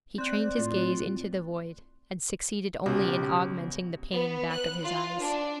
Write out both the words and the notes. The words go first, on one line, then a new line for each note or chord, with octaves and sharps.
He trained his gaze into the void and succeeded only in augmenting the pain back of his eyes.
C4 D5 F#6
A2 F4
C#2 B2 F#4 G4
B3
F#6
F4
D4